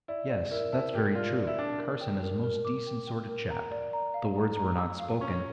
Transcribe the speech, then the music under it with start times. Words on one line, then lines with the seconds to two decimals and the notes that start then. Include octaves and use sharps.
"Yes, that's very true: Carson is a most decent sort of chap." The words were not spoken.
0.08 E4 D5
0.30 D5
0.51 E4 A#4
0.72 E4 A5
0.94 G4 A#4
1.15 F4 D5
1.37 D5
1.47 E4
1.59 D4 A5
1.79 A#4
2.01 G5
2.22 A#4
2.44 A#4
2.65 D6
2.87 G5
3.07 G5
3.29 A#4
3.50 A#5
3.71 D5
3.93 A#5
4.14 F5
4.36 A#5
4.57 A#5
4.78 E6
5.00 F5
5.21 C#4 C#6